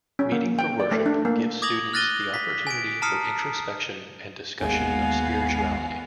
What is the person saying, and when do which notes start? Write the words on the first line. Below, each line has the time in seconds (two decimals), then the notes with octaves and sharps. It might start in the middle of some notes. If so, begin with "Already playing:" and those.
Meeting for Worship gives students the opportunity for introspection and discussion of spirituality.
0.19 C#4
0.32 A#3
0.59 G5
0.80 D5
0.92 A3
1.06 D4
1.25 A#3
1.62 D6 D#6 G#6 A#6 F7 F#7
1.93 F6 F#6 A6 A#6 D#7 G7
2.34 B6
2.67 G#5 B6 D7
3.02 A5 A#5 D#6 F6 C7 C#7
4.61 G#1 D#2 G#3 B3 F#4 F5 G#5